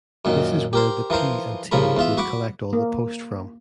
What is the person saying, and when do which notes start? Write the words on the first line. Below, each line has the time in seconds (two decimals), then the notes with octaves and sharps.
This is where the P and T would collect all the post from.
0.25 F#2 A#2 D#3
0.73 G4 A#4 C5
1.10 E3 F3 A#4 C5
1.71 C2 C#3 F3 A#4 B5
1.97 E2 F4 E5
2.17 F#4 F#5 B5 D6
2.73 A#3